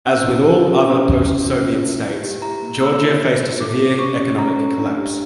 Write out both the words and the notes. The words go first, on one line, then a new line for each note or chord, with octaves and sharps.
As with all other post-Soviet states, Georgia faced a severe economic collapse.
C#4 E6
E4
G4
C#4
G4
C#4
E4
C#4
A#3
E4
E4
G4
E4 A#5
A#3
A#3 E6
E4
A4
F4
A4 D6
C#4
C#4 C#6
C#4
C#4 A#5
A4
D4
G4